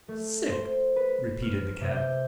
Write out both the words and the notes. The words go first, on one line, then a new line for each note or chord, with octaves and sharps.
"Sick!" repeated the Cat.
A3
C5
B4
F6
C3
G6